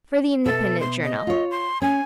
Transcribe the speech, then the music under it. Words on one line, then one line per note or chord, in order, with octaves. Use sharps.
For the Independent Journal.
B2 A4 E5
C6
D#5
F4 C#5
C6
C#4 G#5